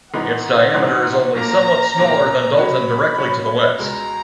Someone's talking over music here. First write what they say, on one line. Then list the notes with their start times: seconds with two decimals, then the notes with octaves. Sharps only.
Its diameter is only somewhat smaller than Dalton directly to the west.
0.14 G#1 G#2 E3 B3 D#4 F#5
0.74 G#1 G#2 E3 B3 D#4
1.35 B1 A#2 A#3 C#4 A#5
1.96 B1 A#2 A#3 C#4
2.57 B2 F#3 C#4 F#4 C#5 B5
3.18 B2 F#3 C#4 F#4 C#5
3.79 C#2 B2 G#3 A#5